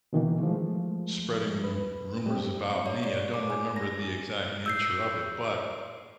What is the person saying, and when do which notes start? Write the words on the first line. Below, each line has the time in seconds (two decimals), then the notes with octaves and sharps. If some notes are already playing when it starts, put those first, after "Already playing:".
spreading rumors about me, I don't remember the exact nature of it, but,
0.13 B2 D#3 E3 A#3
0.40 F3 G#3 A3
1.64 B4
2.26 G3 C4 G4
2.86 C#5
3.04 D5
3.34 D6
3.50 G#5
3.76 A#6
4.66 E6 G6 C7